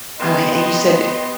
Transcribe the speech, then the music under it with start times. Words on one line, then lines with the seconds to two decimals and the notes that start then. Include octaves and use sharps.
I like and you said
0.19 B3 G4 D#5 C6